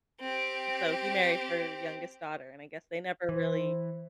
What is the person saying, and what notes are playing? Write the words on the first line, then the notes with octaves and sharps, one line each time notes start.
So, he married her youngest daughter, and I guess they never really
C4 G4
E3 C5